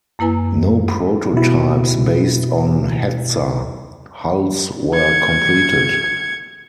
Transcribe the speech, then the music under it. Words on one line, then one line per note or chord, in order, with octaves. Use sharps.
No prototypes based on "Hetzer" hulls were completed.
F#2 A#3 E4 B4 G#5
B2 E4
G#6 C#7